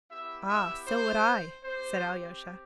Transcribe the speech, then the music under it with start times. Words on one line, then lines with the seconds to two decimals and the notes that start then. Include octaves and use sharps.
"Ah, so would I," said Alyosha.
0.10 B3 E4 G4 E5
0.49 E5
0.87 C5
1.63 C4 G4 C5